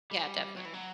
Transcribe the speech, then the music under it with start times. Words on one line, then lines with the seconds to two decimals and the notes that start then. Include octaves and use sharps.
Yeah, definitely.
0.11 G3
0.57 F#3
0.65 E3
0.74 F#3